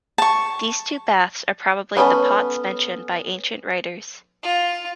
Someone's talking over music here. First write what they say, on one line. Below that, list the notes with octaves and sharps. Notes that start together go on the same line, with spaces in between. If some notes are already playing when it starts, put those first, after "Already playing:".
These two baths are probably the Pots mentioned by ancient writers.
A5 C#6
A3 B3 C#4 A4 B5
F4